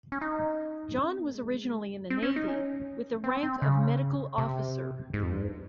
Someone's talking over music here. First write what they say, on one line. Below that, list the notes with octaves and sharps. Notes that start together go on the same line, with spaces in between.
John was originally in the navy, with the rank of medical officer.
C#4
D#4
C#4
C4
A#3
G#3
C4
C#4
D#4
C#4
C4
C4
C#3
C3
G#2
F2
G2
G#2